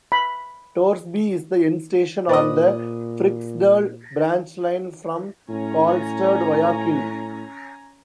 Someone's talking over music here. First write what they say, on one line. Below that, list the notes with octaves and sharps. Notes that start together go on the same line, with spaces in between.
Torsby is the end station on the Fryksdal branchline from Karlstad via Kil.
B5
A#2 B4 C5 D5 D#5
A2 C#4 G#5 A#5